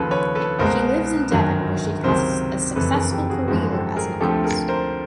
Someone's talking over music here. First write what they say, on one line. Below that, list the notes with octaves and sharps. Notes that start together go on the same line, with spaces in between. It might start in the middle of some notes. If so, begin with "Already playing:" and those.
She lives in Devon where she has a successful career as an artist.
Already playing: D#2 C#3 F3 A4 B4
B4 C#5
A4 B4
C2 B2 G#3 A#4 C5
G1 F#2 D#3 F#3
C#2 C3 D#3 F#3 A#4 C5
F#1 F2 C3 E3 A4 B4
G#4 A#4
G4 A4
F#4 G#4
G#1 F#2 C#3 F3 G#3 F#4 G#4
G#4
G4 A4
G#4 A#4
D2 C3 F3 A3 G4 A4
G#4 A#4
A#4 C5